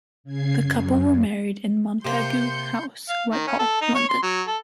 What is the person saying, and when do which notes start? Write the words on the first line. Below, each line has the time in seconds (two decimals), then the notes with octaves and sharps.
The couple were married in Montagu House, Whitehall, London.
0.24 C#3 G#6 C7
0.59 F#2
2.05 C3 A#3 C6 G6 C#7
3.09 F5
3.32 D#3
3.47 C#4
3.59 A4
3.81 D#4
3.95 C#5
4.09 C6
4.23 F#3
4.48 A4